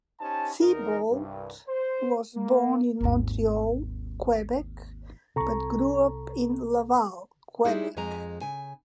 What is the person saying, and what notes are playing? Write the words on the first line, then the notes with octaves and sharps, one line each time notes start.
Thibault was born in Montreal, Quebec, but grew up in Laval, Quebec.
C#4 D#4 G4 C5 G#5 A5
E2 D#4 A#4
C2 G2
C5
A#3
G#1 D#2
C2 C3 A4 A#5 C#6
G3 G#3 D#4 E4 G#4
F2 G#3 G#5 A#5
C#3 G#5